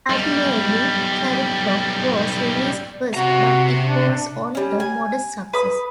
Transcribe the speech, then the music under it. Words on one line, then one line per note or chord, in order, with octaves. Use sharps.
Ultimately, "Cherub Rock" was released first, but it was only a modest success.
B1 G3
C3 F#4 A#5
D4
G3 C#4
G#5
B4 D#6